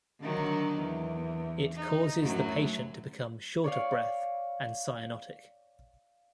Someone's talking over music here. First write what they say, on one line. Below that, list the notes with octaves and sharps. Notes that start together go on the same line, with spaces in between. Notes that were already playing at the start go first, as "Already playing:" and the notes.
It causes the patient to become short of breath and cyanotic.
D3 D#3 F#3
E2
D#4
F#2 A2 F#3
C#5 D5 F5